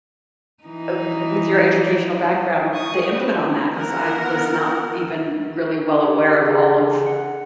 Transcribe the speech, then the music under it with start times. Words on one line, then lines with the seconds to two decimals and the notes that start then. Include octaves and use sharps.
uh, w with your educational background, the input on that 'cause I was not even really well aware of all of
0.64 E3 D#4
2.73 C#6 D#6
3.13 C4 B4
3.76 B3 F4 A#4 F#5
6.03 G4
6.38 C#3 E3 G#4
7.07 F#5